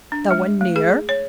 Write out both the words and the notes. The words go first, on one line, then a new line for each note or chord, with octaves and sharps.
No one near.
D4
G#3
A3
G#4
C#5